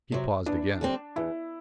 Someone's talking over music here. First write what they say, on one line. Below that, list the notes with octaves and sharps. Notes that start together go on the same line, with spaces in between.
He paused again.
C3 F#3
E2 D4
D3 G3 C4
E2 E4